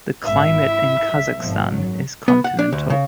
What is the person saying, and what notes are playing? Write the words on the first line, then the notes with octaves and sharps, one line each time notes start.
The Climate in Kazakhstan is continental.
G#1 A#2 E5
E4
C2 B6
G#1 B2 F3
F#2 F#3
B3
F#5
D4
D2
C#3